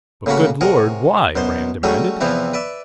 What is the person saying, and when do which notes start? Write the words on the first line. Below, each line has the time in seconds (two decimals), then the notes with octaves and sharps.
"But good Lord, why?" Rand demanded.
0.26 A2 C#3 A#3 C#4 F#4 B5
0.61 C3 G#4 A#4 C#5 F#5 C#6
1.35 F#2 B2 C5 C6
1.83 F#3 G3 A3 C#4 F#4 G#4
2.21 E2 C3 E3 F3 C4 E4
2.53 B4 D5 E5